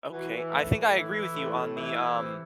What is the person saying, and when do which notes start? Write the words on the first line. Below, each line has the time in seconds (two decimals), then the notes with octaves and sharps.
okay I think I agree with you on the, um,
0.10 E3 F#4
0.30 E3
0.51 A2
0.71 A2
0.91 E3 E4
1.12 E3
1.33 A2
1.54 A2
1.73 E3 E4
1.94 E3
2.15 C3